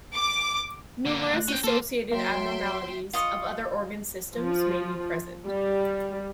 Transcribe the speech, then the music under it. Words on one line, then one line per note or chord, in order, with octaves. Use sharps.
Numerous associated abnormalities of other organ systems may be present.
D6
D3 A#3
A3 F#6
C#4 G5
A#3 A4 C5
F#3 A#3 E5 G5 C6
F4 D#5 C#6 D#6
F3
G3